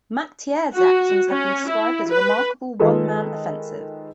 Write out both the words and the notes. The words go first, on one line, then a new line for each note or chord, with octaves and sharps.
Mactier's actions have been described as "a remarkable one-man offensive".
F#4
C#4
E4
B4
D#3 G#3 F4 G#4 A4 B4